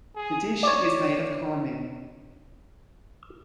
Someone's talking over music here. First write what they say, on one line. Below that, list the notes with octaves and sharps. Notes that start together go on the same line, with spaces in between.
The dish is made of cornmeal.
G#4
C#5 D5